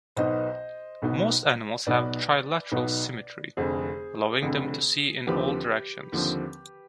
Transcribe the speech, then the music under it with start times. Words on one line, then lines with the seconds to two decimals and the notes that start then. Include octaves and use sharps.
Most animals have trilateral symmetry, allowing them to see in all directions.
0.16 B1 B2 B3 D#4 C5 D#5
1.02 B1 B2 B3 D#4
1.87 B1 B2 B3 D#4 B4 D5
2.72 B1 B2 B3 D#4
3.57 F1 F2 D3 G#4 C5
4.42 F1 F2 D3
5.27 D#2 D3 F3 C4 G4 B4
6.12 D#2 D3 F3 C4